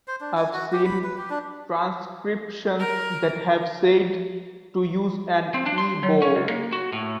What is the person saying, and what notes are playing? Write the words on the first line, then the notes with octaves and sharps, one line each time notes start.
I've seen transcriptions that have said to use an E-bow.
C5
D4
G#5
F#4
G4
B5
B4
G4
D4
A#4
C4
D4
C6
F#3
C#4
C#2
A#3
F#4
A2